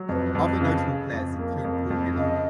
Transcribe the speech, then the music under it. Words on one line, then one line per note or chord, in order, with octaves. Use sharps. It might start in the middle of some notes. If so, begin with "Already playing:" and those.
Other notable players include Paul Miller.
Already playing: F#3
F2 B4 D#5
F2 B4
C#3
C#3
F2
A#3
F2
F2
C#3 D#5